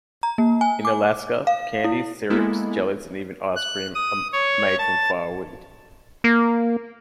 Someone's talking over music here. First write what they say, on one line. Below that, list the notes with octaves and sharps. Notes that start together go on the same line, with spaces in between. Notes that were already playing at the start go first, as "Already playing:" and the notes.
In Alaska, candies, syrups, jellies, and even ice cream are made from fireweed.
A#5
A#3
G#5
D6
F5
E4
G#3 A#3 B3 E4 A4
F#6
D#6
C#5
A5
A#3